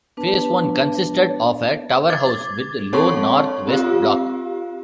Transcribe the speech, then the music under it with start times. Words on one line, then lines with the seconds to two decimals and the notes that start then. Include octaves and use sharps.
Phase One consisted of a tower house with low north-west block.
0.17 B3 D4 B4 A5
2.10 D6 G#6 A6
2.93 C4 A4 C#5 A5 C6 C#6
3.67 C4 F4 G4 F5